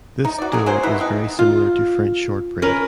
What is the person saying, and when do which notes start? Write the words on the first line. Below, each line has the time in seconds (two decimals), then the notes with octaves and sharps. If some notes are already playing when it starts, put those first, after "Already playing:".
This dough is very similar to French shortbread.
0.25 D#4
0.38 F#4 D5
0.52 G#3 A#3 G#4
0.66 F#3 A#3 C#4 C5
0.83 B2 D#4 E4 F#5
0.98 G#3 C4 D#4
1.39 F4
2.62 C#4 A#4 B4